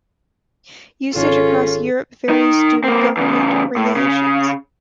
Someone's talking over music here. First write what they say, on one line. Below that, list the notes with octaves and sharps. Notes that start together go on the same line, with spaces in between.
Usage across Europe varies due to government regulations.
G#1 C#4 F4 A4
D#3 D#4
A#3 C4
E2 C#3
A2
C#3